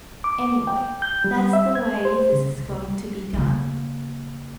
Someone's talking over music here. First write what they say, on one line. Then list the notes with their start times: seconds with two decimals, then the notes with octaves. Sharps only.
"Anyway, that's the way this is going to be done."
0.24 D6
0.67 G5
1.02 G6
1.24 G3
1.53 E5
1.75 G#6
2.05 C5
2.32 C#3
2.58 C2
3.33 C#3 A#3